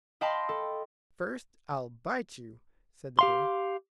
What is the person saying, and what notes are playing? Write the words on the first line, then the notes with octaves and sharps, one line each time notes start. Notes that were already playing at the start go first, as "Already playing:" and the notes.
"First, I'll bite you," said the bear.
D#5 F5 G5 A5 B5 C6
A4
G4 F5 C6